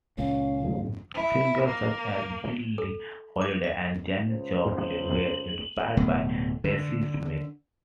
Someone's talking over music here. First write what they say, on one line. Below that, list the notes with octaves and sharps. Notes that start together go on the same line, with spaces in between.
Singers such as Billie Holiday and Janis Joplin were inspired by Bessie Smith.
C#2 A#2 C#4 F5
E4
A#3
A4
D6
D#5
C#2 C5
D1 B2 A3
D3